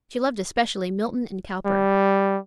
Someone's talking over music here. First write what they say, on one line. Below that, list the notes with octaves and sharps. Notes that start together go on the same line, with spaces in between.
She loved especially Milton and Cowper.
G3